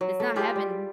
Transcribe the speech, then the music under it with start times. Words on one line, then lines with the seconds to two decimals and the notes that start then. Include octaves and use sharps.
It's not heaven.
0.01 F#3
0.20 A3
0.36 G#3 E4 F4 G4
0.56 G3